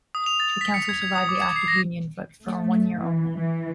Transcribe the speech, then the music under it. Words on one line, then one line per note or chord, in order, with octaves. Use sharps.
The council survived the Act of Union but for one year only.
D#6
F7
A6
B6
C#7
G#6
G#6
D#6
D6
G#6
C7
A#6
A3
E3
E3